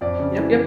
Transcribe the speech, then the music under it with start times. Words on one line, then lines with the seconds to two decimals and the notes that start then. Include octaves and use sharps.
Yep, yep.
0.01 F2 D5
0.20 C#3
0.39 E3